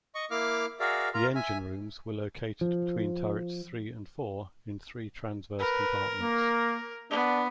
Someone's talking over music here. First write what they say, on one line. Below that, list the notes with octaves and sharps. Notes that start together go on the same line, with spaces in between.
The engine rooms were located between turrets three and four in three transverse compartments.
D#5 C#6
A#3 E4 F5 D6 F6
F#4 G#4 A#4 D5 E5 F5
F4 A#4 A#5
E5 G#5
F3
A#4 B4
A#3
B3 D4